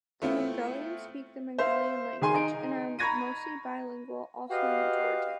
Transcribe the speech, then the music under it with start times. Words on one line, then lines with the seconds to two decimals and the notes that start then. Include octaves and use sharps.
The Mingrelians speak the Mingrelian language, and are mostly bilingual also in Georgian.
0.22 A3 B3 C4 E4 F4
1.58 C5 E5 F5
2.21 D#3 G#4 G#5 C6
2.34 D#4 D7
2.99 A#5 B5 C#6 G#6 A#6 D#7
4.49 F#4 G4 B4 D#5 F5